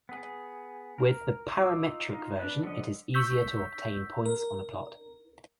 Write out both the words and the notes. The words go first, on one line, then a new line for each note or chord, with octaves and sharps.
With the parametric version it is easier to obtain points on a plot.
B3 G#4
A#4
D#4 F4 D6 E6
D#4 F4
D4 B4
D3 F3 D#5
C#6 E6 G6 B6
A#4